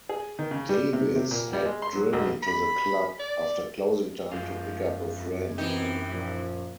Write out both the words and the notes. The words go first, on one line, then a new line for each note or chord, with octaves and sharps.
Davis had driven to the club after closing time to pick up a friend.
G#4
D#3
C#3
G3
C3
C3
A#2
G3
G#3
C6
F#3
B1
B5
D5
F#2 F3 G#3 F4
F2
B2 E3 A#3 C4 D#4 G4
A#2 F3